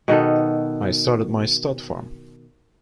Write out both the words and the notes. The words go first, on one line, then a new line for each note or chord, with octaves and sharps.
I started my stud farm.
B2 D#3 B3 A4